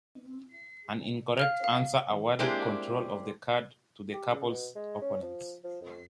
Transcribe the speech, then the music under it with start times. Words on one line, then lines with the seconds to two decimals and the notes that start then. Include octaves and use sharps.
An incorrect answer awarded control of the card to the couple's opponents.
1.37 F5 F6 F7
1.64 F5
2.39 G#3 A#3 C4 D4 E4 G4
4.14 G4
4.31 C#3
4.48 B2
4.76 G#3
5.01 C#4
5.22 F3
5.64 F3
5.81 F2